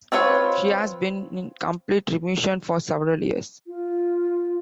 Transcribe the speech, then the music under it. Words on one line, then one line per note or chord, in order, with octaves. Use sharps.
She has been in complete remission for several years.
C4 F4 B4 C#5
F4